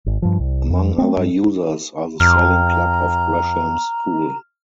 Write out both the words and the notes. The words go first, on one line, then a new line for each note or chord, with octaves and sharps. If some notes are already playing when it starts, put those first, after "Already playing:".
Among other users are the Sailing Club of Gresham's School.
G#1
G2 F3
C2
F2
A3 C4
G2
F2 A#5 F6